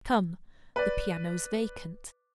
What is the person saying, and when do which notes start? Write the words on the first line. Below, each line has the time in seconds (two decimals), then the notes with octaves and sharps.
Come! the piano's vacant.'
0.76 B4 D5